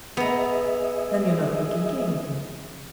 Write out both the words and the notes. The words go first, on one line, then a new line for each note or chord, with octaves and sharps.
"Then you're not making game of me?"
B3 G#4 D#5 E5 A#5